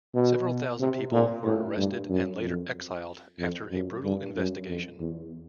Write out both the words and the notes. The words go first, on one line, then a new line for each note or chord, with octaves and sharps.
Several thousand people were arrested and later exiled after a brutal investigation.
B2
C3
A#2
A2
G2
F#2
F2
F2
F#2
G2
F#2
F2
E2